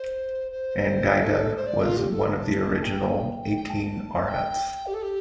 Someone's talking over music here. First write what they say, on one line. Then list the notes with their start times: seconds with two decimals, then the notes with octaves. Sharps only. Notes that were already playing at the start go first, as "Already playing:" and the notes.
Angida was one of the original Eighteen Arhats.
Already playing: C5
0.52 C5
1.09 C5
1.14 A4
1.56 C5
1.67 D5
1.82 F4
1.97 G4
2.11 A4
2.26 C6
2.29 A5
2.83 G5
3.42 G5
3.56 G5
3.70 A5
4.28 G5
4.87 G4
4.94 A4
5.02 G4